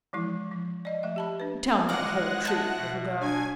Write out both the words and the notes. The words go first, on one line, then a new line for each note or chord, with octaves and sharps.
"Tell me the whole truth, little girl."
E3 F3 G#3 E4
F3
D5 D#5
F3 A3 E5
G4 A5 B5
D4 B4
G#3 D5 F5 F#5 F#6 A#6
E5 A5
B2
D4 G#5 G#6